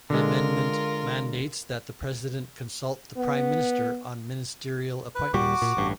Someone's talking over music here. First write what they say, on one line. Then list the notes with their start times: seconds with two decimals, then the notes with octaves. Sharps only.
The amendment mandates that the president consult the prime minister on ministerial appointments.
0.10 D3 G#3 F4 A#4
3.17 B3
5.15 B4
5.34 D#1 A#2 G3 F#4 D6
5.62 A#2
5.77 A1 G2